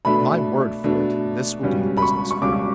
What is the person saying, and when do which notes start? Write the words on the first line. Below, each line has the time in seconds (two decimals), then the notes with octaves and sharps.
My word for it, this will do the business for him.
0.05 B2 A3 D4 B5
0.84 B2 A3 D4
1.63 C#2 B2 G3 C#4
1.97 B5
2.02 C#6
2.31 C#6
2.42 C#2 B2 G3 C#4 D6